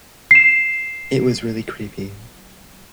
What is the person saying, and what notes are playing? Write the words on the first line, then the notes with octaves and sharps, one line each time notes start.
It was really creepy.
C7 E7